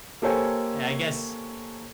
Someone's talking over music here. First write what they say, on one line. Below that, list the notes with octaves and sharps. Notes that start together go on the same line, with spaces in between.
and I guess
A#3 G4 A4 C5 C#5 G#5